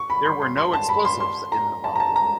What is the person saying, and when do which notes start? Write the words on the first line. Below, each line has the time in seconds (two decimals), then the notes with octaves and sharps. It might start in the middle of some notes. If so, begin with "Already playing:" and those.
There were no explosives in the bomb.
Already playing: C#6
0.10 B5
0.25 C6
0.42 C6
0.57 C6
0.73 A5
0.89 B5
1.05 C6
1.20 C6
1.52 A#5
1.84 A5
1.95 A#5
2.00 A5
2.16 A#5